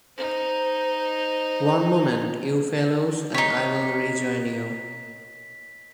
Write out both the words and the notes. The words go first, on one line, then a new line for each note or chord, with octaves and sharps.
One moment, you fellows, and I’ll rejoin you.
D#4 C5
D#4 C#5 B6